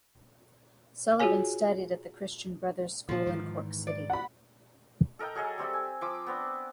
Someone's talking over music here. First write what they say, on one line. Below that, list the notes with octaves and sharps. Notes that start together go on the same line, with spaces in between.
Sullivan studied at the Christian Brothers school in Cork city.
F4 F#4 G#4 C#5 G#5
D2 A#2 F3
G#2 D#3 E3
D5
F#5 B5
A4 A#4 D#5 G5
F#3 G#4 A4 D#5
G3 C4 G4 E5
G#5
F3 D6 E6
B3 C4 D4